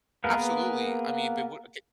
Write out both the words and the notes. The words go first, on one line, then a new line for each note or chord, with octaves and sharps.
Absolutely, I mean, but what okay.
A#3 B3 G#4 A#4 B4